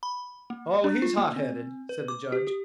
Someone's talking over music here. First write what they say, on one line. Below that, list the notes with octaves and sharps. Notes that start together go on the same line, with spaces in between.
"Oh, he's hot-headed," said the Judge.
B5
A#3
D4
F4
A#3
C4
B4
D6
G4
G4